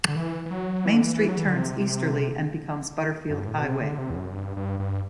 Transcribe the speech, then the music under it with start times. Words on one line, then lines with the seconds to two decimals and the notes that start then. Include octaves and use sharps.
Main Street turns easterly and becomes Butterfield Highway.
0.08 D3
0.16 E3
0.46 E3
0.51 F#3
0.85 E3
0.94 D3
1.02 E3
1.29 F#3
1.38 E3
1.46 D3
1.55 C3
3.30 F#2
3.38 G2
3.47 A2
3.55 B2
3.64 C3
3.81 D3
3.98 C3
4.10 E2
4.16 F#2
4.33 G2
4.57 G2
4.80 G2